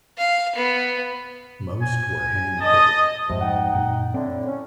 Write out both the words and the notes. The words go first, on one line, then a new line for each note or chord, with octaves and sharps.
Most were hand-built.
F5
B3
G#5
D#5 A5
F2 G#2 C3
D#4 F#5 G5
F#2 A#2
A2 D3 C4
C#4